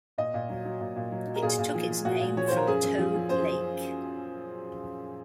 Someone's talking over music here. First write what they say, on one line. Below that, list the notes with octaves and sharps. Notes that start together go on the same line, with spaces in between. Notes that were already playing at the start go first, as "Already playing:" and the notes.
It took its name from Toad Lake.
A#2 D#5
A#2
F#3
F#3
A#2
A#2
F#3
F#3
A#4
A#2 G#4
A#2
F3
F3
A#2 F#4
A#2
F3 C#5
F3 C5
A#4
F#2 G#4
F#2
F3
F3
F#2 C5